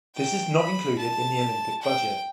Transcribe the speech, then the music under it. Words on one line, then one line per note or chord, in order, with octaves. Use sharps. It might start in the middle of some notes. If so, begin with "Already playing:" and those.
This is not included in the Olympic budget.
G5
B5
A5
G5